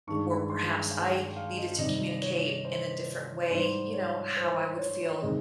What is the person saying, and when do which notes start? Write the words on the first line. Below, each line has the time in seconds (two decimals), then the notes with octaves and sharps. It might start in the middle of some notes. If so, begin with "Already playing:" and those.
or perhaps I needed to communicate in a different way, you know, how I would feel,
0.07 G2 D#3 G#3 C#6
0.50 C6
0.94 G#5
1.14 G5
1.36 F5
1.58 D#5
1.79 C3 D#3 G3 D#5
2.22 C#5
2.65 C5
3.50 G#2 G3 C5
3.94 C#5
4.37 C5
4.79 C#5
5.22 C3 D#3 G#3 D#5